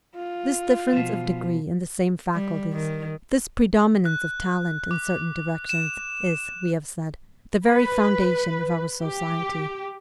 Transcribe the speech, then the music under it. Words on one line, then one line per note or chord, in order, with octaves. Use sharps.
This difference of degree in the same faculties, this predominance of talent in certain directions, is, we have said, the very foundation of our society.
F4
B2 F3
G3
D#3
F#6
D6
E7
B4
G4